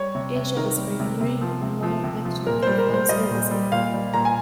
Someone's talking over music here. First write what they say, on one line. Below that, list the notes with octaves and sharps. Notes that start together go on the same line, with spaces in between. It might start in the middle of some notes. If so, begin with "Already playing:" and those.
Asia is pioneering online action to offline services.
Already playing: G3 C#5
C3
C3
D#3 A#4
G3
C3
C3
F3
C3
F3
C3
F3
A#2 A#4
G3 C5
A#4
A#2
C5
G3 D#5
A#2
G3
A#2 F5
G3
A#2 A#5
G#5